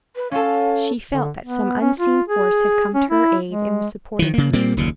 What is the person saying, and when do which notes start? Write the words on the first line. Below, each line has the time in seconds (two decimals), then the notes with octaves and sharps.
She felt that some unseen force had come to her aid and was supporting her.
0.16 B4
0.31 C#4 A4 F5
1.11 D3
1.42 B3
1.81 C#4
1.99 F4
2.28 G#4
2.95 C#4
3.10 E4
3.51 G#3
4.19 D#3 E3
4.34 C#3 A#3
4.53 A#2 G3 A#3 C4
4.77 F#1 D#2 A#2